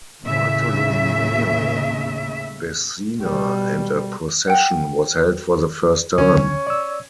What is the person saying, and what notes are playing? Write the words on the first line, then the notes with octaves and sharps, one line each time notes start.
Bartolomeo Bezzina and a procession was held for the first time.
D#2 A2 C#3 E5
B2 G3
F#5 G5
D2 D3 C#4 C#5
D5 E6